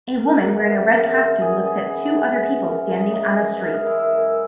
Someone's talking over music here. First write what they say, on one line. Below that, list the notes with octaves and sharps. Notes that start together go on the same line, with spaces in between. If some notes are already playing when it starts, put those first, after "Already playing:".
A woman wearing a red costume looks at two other people standing on a street.
C#3 A#4
E3 B3 B4
C#3 A#4
E3 B3 A#4
C#3 A#4
E3 B3 G#4
C#3 G#4
E3 B3
C#3
E3 G#3
C#3 A#4
E3 G#3 G#4
C#3 D#4
E3 G#3 B4
C#3 A#4
G#4
E3 G#3 E4
E4
F#2